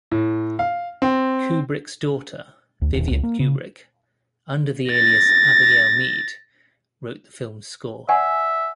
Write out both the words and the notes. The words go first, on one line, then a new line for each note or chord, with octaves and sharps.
Kubrick's daughter, Vivian Kubrick, under the alias "Abigail Mead", wrote the film's score.
A2
F5
C4
D2
D#1
C#2
A#3
C#3
A6 A#6
D5 E5 F#5 G#5